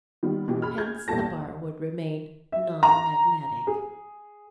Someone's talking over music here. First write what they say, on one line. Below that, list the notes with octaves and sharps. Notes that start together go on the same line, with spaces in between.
Hence, the bar would remain non-magnetic.
D#3 G3 B3
B2 E3 G4
G#4 B5 F6
G#4 G6 G#6
A#1 E2 G3 A4 A5 A#6
E5
A#5
G#4